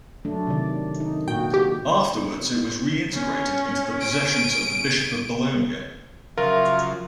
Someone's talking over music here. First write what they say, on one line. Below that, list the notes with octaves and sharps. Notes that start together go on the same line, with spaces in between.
Afterwards it was reintegrated into the possessions of the Bishop of Bologna.
F#3 A3 D4
C3 D#3 D5
D#4
A#2 A#3 F#4 G5
G4
C#4
D7 D#7
C#3 F3 F#3 F4 A#4 E5